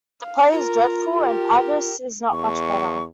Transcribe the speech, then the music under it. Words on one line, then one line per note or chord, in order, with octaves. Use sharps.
The play is dreadful, and Avice is not much better.
F5
F4 A#4 A#5
G4 A#4
E2 C#6